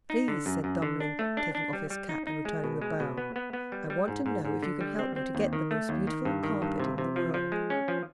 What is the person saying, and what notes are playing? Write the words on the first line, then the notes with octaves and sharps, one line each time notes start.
"Please," said Dummling, taking off his cap and returning the bow, "I want to know if you can help me to get the most beautiful carpet in the world."
D#4
D3
F#2
F#2
D3
D4
A3
D4
D4
G3
G3
D#4
D#4
G#3
B2
G#3
B2
B3
B3
B3
G3
G3
G#2
G#2
G#2
D3
G3
C4
C4
D#2
D#3
A3
D#2
D#3
G2
D#3
G2
C3
C3
F3
F3
G#3
C#4
F3